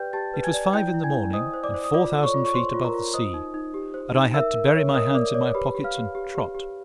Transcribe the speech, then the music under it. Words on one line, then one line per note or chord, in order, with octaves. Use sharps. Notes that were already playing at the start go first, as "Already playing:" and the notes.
It was five in the morning, and four thousand feet above the sea; and I had to bury my hands in my pockets and trot.
Already playing: G4 B4 D5 G5 G6
G4 A5 A6
B4
G#5 G#6
D5
E4 G5 G6
E4
G#5 G#6
E4
C5 D#5 D#6
C5
D5 D6
C5
D#6
F4 D5 D6
A4
C#5 C#6
F4
C#6
C5 C6
F4
A#4 A#5
F4
C5 D#5 D#6
D#4
D#4
G4
C5
D#4
A#4 E5 E6
A#4
C#5
A#4 D#5 D#6
A#4 D5 D6
C#5 D5 D6
G4 B4 B5
G4
F5 F6
G4
G4
G4
G4